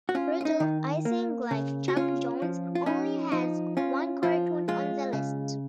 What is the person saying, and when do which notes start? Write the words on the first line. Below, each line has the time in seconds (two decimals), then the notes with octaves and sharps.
Rudolf Ising, like Chuck Jones, only has one cartoon on the list.
0.09 F#4
0.15 C#4 F4
0.41 F4
0.45 D#4
0.60 D#3
1.05 A#3
1.51 C#3
1.88 F#4
1.96 C#4 F4
2.42 F3
2.75 F4
2.86 C#4 D#4
3.32 F3 D#4
3.77 C#4 F4
4.23 F3 F4
4.68 G#3 F4
5.13 C#3